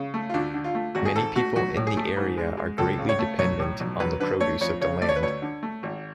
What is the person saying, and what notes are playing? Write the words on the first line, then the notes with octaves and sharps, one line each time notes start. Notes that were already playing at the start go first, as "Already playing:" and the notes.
Many people in the area are greatly dependent on the produce of the land.
Already playing: C#3
A3
F4
D2 D4
D3
F4
A3
G#1 F#4
G#4
G#2 A4
A3 F#4
B1 F#4
A2
G#4
A3
G#2
G#3
G#3
C#2 A4
C#3
C#5
A3
B1 C#5
A2
B1
F#2 B4
D3 B4
A3 C#5
F2 C#5
C#3 C#5
A3 D5
C#5
B4
D2 C#5
D3
A3
G#1